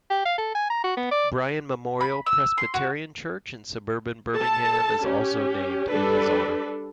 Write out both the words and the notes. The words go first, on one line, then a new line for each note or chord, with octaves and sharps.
Bryan Memorial Presbyterian church in suburban Birmingham is also named in his honor.
G4
F5
A4
G#5
A#5
F#4
B3
D5
B5
E6
C6
F#4
A4 A5
C#4 G4
G3 D4 A4 B4 D5